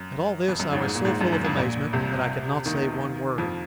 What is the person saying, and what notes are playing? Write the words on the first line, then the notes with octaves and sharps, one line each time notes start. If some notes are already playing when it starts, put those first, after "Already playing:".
At all this I was so full of amazement that I could not say one word.
Already playing: F#2
F2
F#2
G#1 G#2
G#2
A#2
G#1 G#2
F#2
F#2
F2
A#1 A#2
C2 C3
D#2 D#3
F2 F3